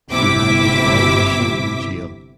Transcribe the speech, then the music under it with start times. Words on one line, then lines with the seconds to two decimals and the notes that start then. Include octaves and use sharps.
He had been languishing in jail.
0.11 G1 C3 E4 E5 D6 B6